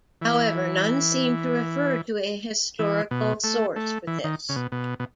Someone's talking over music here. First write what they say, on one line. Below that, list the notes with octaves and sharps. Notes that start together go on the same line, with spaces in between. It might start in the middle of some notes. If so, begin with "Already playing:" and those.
However, none seem to refer to a historical source for this.
E3
E3
B2
A3
A3
E3
D#3
C#3
B2
B2
B2